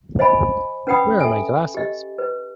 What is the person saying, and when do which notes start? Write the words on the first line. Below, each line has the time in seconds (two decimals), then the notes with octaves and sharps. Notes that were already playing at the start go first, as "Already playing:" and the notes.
Where are my glasses?
0.19 C5 D#5 F5 G#5 B5
0.87 C#4 B4 F#5 G5 B5 D#6
1.20 A4 E5 G#5
1.75 G4 D#5
2.18 B4